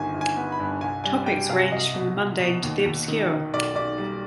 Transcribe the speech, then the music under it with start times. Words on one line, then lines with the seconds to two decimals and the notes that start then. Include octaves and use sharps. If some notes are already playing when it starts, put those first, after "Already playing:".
Topics ranged from the mundane to the obscure.
Already playing: G1 D#3 G#5
0.14 G1
0.21 G#5
0.37 B3
0.52 B5
0.60 G2
0.81 C2 G#5
1.04 G3 G#5
1.26 G3 G5
1.49 C3 F5
1.72 C2 D#5
1.94 B2
2.18 B2
2.39 B2
2.63 D#2
2.86 D#2
3.08 D#3
3.30 D#3
3.54 B1 D5
3.75 B1 D5
3.99 G3